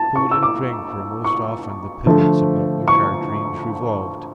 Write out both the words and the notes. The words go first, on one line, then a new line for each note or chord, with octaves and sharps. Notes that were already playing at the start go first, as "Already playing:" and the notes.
Food and drink were most often the pivots about which our dreams revolved.
Already playing: A5
C#6
E6
D6
C#6
D3 F3 A3
C#6